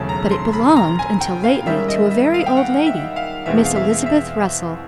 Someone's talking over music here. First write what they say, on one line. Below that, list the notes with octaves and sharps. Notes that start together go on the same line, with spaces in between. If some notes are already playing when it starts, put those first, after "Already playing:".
But it belonged until lately to a very old lady, Miss Elizabeth Russell.
Already playing: E1 D#2 C#3 F#3 A3 A5
A#5
C6
B5
A#5
G#5
G5
F5
G#2 D#3 G3 A#3 C#4 E5
D#5
E5
F5
G5
F#5
E5
F5
E2 B2 G#3 C4 E5
F5
E5
E5